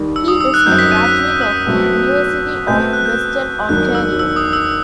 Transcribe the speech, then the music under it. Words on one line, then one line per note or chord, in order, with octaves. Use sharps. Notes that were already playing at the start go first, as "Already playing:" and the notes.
He is a graduate of the University of Western Ontario.
Already playing: D#2 D#3 G3
E6
D#6
E6
F#6
F#1 F#2 F#3 C4 D#4 G6
B6
D#7
F#6
E6
B2 F#3 A3 C4 F#4
B2 A3 C4 G6
F#6
G6
E1 D#2 D#3 F#3 F#6
E6
E6
D#6
E6